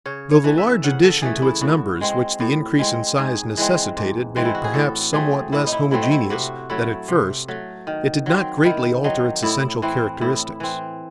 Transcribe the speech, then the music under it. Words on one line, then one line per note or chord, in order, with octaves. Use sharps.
Though the large addition to its numbers which the increase in size necessitated made it perhaps somewhat less homogeneous than at first, it did not greatly alter its essential characteristics.
C#3 C#5
C#5
E3 A3
E5
C#3 F#5
A4
E3 A3 G#4
E4
A2 F#4
G#3 C4
A2
G#3 C4
G#2 G#4
E3 G#3 C4
G#2
E3 G#3 C4
E4
F#4
G#4
A2 A4
F#3 A3 C4 G#4
A2 E4
D#4
E4
F#3 A3 C4 E4
D#4
E4
C3 F#4
F#3 A3 E4
C3
F#3 A3
D#3
F#3 C4
D#3 E4
F#3 C4 D#4
A2 E4
E3 C4 E4
A2 E4
E3 C4